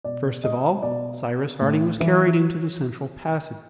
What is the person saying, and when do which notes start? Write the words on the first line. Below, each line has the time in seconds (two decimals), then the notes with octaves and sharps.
First of all, Cyrus Harding was carried into the central passage.
0.04 B2 D5
0.44 D#5
0.82 B2 D5
1.61 A2
2.00 E3